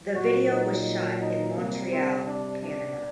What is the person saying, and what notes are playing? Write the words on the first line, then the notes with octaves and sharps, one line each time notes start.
The video was shot in Montreal, Canada.
A#2 F#3 F#4
D#4
D#4
C3 G3 A#3
C4
D4
D4